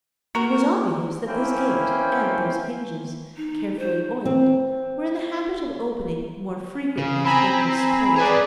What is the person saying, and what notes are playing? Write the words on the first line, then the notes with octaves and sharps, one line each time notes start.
It was obvious that this gate and those hinges, carefully oiled, were in the habit of opening more frequently than was supposed.
A#3 F#4 A#4
E3 A#3 C4 C#4 E4
D#4
C5
C4
C#3
C4 G#5 A#5 B5
G#4 B4 C#5 D5 G#5 A#5